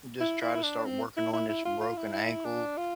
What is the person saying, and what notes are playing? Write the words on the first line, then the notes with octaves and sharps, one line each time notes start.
just try to start working on this broken ankle
E4
E4
E4
D4
C4
E4
E4
E4
F4
F4
E4
E4
D4
F4